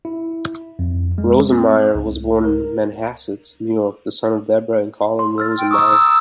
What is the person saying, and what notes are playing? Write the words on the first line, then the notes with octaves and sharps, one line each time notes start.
Rosenmeyer was born in Manhasset, New York, the son of Debra and Colin Rosenmeyer.
E4
F2
G#3
C4
C#2
A#4
C6
E6 F6 A6
G5
A#5 C#6 D#6 E6